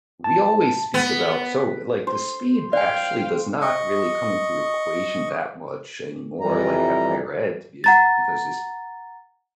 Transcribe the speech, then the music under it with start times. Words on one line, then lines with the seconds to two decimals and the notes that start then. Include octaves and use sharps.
we always speak about So, eh, like, the speed actually does not really come into equation that much anymore, like, at higher ed to be s because it's
0.24 A5
0.94 B3
2.07 C5
2.73 D5 F5 G5 G#5
3.62 D#5 C#6
6.40 F2 E3 G3 A#5
7.84 F#5 A#5 A6